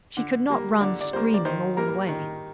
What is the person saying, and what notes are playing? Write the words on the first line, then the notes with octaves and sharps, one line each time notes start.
She could not run screaming all the way.
D3
G3 A#3
D3 D5
D5
G3 A#3 C5
D5
D#3 C5
G3 A#3 A#4
D#3